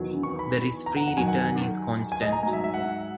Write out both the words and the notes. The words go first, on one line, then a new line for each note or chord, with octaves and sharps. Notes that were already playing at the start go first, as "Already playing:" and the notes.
The risk-free return is constant.
Already playing: E2 D#3 F#3
C#6
B5
A#5
F#5
F#5
F#2 D#3 F#3 G#5
F#5
G#5
D#5
A#5
G#2 F#3 G#5
E5
E5
F#5